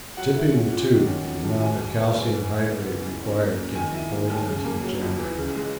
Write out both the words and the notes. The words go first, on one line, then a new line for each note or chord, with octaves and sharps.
By tipping the tube the amount of calcium hydrate required can be poured into the generator.
F#3 F#5
E4
C#4
A#2
D#3
C#4
F#3
D#2
F#3 G#5
G#2
B3
G#2
E3
E4
B3
C#3
E3
C#4
A#3
F#2
D#3 G#5
E4
A#3
D#2
C#3
A#3
F#3
C#2
E3
C#3
G#3